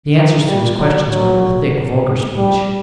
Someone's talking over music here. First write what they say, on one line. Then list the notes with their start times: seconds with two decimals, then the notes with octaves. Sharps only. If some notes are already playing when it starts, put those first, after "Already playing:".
The answers to his questions were in the thick, vulgar speech.
0.16 D#3
0.48 G3
0.79 F#3
1.10 F#3
2.36 G3